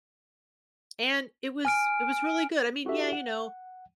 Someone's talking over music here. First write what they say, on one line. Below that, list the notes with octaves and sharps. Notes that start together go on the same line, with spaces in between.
and it was it was really good I mean, yeah, you know,
G#5 F6 D7
E4 F#4 G4 A4 E5
F#5